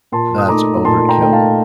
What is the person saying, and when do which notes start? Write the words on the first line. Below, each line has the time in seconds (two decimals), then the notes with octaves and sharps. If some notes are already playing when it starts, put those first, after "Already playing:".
That's overkill.
0.12 A#2 A5 C6
0.38 D#6
0.49 A3 D#4 A#5 D6
0.85 A#2 A5 C6
1.09 G5 A#5
1.21 A3 D#4 G5
1.33 F5 A5